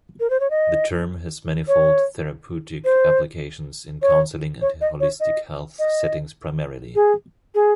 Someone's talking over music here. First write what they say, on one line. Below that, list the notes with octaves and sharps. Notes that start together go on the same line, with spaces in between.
The term has manifold therapeutic applications in counseling and holistic health settings primarily.
A#4
C5
C#5
D#5
C#5
C5
C#5
C#5
D#5
C#5
D#5
D#5
G#4
G#4